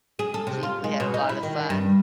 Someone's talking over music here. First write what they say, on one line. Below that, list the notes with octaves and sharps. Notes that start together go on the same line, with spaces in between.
She we had a lotta fun.
G#4
A4
C3
F4
G#3
B2
D#4
E4
D#3
G2